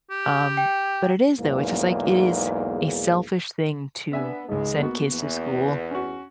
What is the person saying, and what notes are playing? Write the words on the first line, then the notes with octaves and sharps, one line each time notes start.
um but it is, though, it's just, like, it is a selfish thing to send kids to school,
G4
G5
B1 E2 G#2 A#3
B3 D4 E5 G#5
G#1 C#2 G#3
A#3 B3 F#4
E2
C#4 F#4